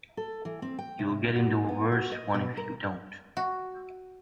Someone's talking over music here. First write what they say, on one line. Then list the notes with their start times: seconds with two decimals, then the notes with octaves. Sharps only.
You'll get into a worse one if you don't.
0.17 A4
0.45 E3
0.62 C4
0.78 G5
0.99 C3
1.36 F#4
1.69 B3
1.92 F#4
2.12 D#5
2.34 B2
2.57 A#4
3.37 F#4